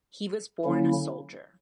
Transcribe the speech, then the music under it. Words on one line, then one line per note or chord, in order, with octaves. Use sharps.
He was born a soldier.
D3 F#3 A#3 C#4 E4